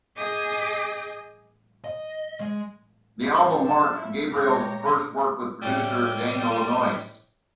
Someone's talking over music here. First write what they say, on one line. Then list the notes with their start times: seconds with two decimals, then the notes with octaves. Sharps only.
The album marked Gabriel's first work with producer Daniel Lanois.
0.16 G#4 D#5 D6 D#6 G6
1.84 D#5
2.40 G#3
3.23 F#3 C#4 F4 G4
3.65 A5
3.97 E4
4.32 A#2 G#3 G4 C#5 A#5
5.62 A2 G3 G4